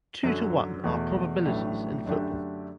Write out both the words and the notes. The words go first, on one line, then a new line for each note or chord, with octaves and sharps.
Two to one are probabilities in football.
F#2 D3 F#3
E2 B2 A3
A1 A2 F#3 A3 D4
F#2 D3 A3 D4 G4